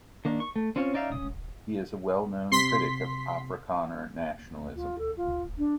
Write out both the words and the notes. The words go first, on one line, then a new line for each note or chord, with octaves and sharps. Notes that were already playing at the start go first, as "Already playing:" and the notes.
He is a well-known critic of Afrikaner nationalism.
D#3 A#3 D4
C#6
A3
C4 C#4 F4 C#5
C#4 D#4 D5 E5 F5
C#4 D#6
C3 C6 B6
F4
A4
F4
D4